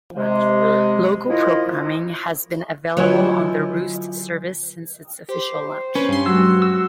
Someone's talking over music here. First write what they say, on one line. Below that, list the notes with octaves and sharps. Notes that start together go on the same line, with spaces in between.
Logo programming has been available on the Roost service since its official launch.
C3 G#3
D#3 F3 E4 F4 D#5
D2 F3 F#3 E4 B4 C#5 D#5 G#5
G4 C5
C#4 B4
G2 C6
F#3 G#3 F#4 E6
E6